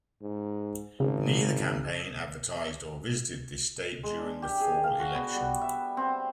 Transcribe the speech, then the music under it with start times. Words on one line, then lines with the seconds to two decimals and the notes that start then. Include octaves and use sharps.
Neither campaign advertised or visited this state during the fall election.
0.21 G#2
1.00 G#1 C#3
4.03 G#3
4.18 D4
4.42 G4
4.60 G#4
4.84 F5
5.00 F#4
5.15 B3
5.35 G3
5.61 E5
5.97 C4